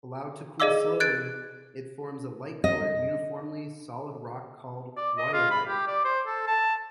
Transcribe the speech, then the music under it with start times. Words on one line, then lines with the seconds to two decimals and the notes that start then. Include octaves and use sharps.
Allowed to cool slowly, it forms a light-colored, uniformly solid rock called rhyolite.
0.60 G#4 D5 D#5 F5 D6 E6
1.00 F#6 G#6 A6 D7
2.64 D#5
4.97 D5
5.18 D#5
5.33 F4
5.51 B5
5.68 G4
5.88 D5
6.05 C5
6.27 A4
6.47 A5